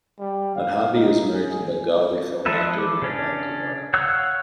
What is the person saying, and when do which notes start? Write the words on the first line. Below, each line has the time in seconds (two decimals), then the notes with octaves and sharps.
Madhabi is married to Bengali film actor Nirmal Kumar.
0.19 G3
0.55 F5
0.94 D#4
1.34 G#4
2.46 F3 G#3 A4 B4 E5
2.78 D6
3.02 C#3 C#4 D4
3.94 C#5 F5 F#5 C#6 E6